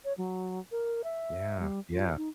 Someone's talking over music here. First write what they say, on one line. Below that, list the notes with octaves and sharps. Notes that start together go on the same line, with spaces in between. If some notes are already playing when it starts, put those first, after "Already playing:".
yeah, yeah.
C#5
F#3
A#4
E5
G3
F4
D#4